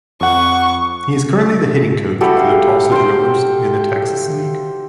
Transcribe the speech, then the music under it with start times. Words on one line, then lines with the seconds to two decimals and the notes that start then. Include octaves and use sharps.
He is currently the hitting coach for the Tulsa Drillers in the Texas League.
0.21 F2 F#5 C#6
2.21 E4 F#4 G4 A4
2.37 F5
2.92 C5 G5